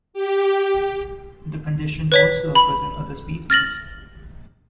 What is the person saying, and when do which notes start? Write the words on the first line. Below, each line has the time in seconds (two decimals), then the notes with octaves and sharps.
The condition also occurs in other species.
0.13 G4
2.12 B4 C#5 B6
2.55 B5
3.50 F6 A6 A#6 F#7